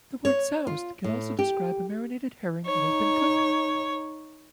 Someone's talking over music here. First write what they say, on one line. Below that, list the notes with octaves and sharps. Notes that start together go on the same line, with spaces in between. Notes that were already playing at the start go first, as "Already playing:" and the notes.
The word 'soused' can also describe a marinated herring that has been cooked.
C#5
F4
A2
G4
D#4 C#5